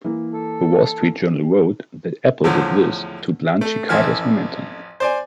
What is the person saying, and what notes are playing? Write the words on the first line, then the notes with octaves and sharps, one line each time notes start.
"The Wall Street Journal" wrote that Apple did this to "blunt Chicago's momentum".
E3 A#3
A4
E2 A2 D3 F3
A3
A1 F2 E3 F6
C5 D5 G#5